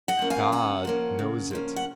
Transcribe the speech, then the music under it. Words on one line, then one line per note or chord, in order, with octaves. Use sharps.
God knows it.
D#5 F#5
F3 A#3 C#4
F5 G#5
C#3 F#5 A#5
F3 A#3 C#4
C#3
F3 A#3 C#4
F#5